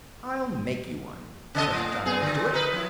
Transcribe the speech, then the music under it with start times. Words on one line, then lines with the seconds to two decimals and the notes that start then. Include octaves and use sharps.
"I'll make you one," said Johnny Dooit.
1.55 C#3 A4 D#5
1.70 A2
2.05 A#2 B3 G#4
2.21 A#2 D3
2.52 D#4 A#4 B4
2.73 F3 E4